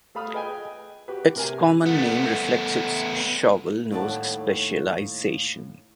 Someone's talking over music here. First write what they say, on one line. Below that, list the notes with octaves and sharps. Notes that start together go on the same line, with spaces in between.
Its common name reflects its shovel nose specialisation.
A3 A4 F5 B5 D#6 F6
G#4 B4 D#5 G5 G#5
F#4 G4 B4
C3 A#4 G#5
A3 B3
D#2 A2 G3 D5 F#5 A5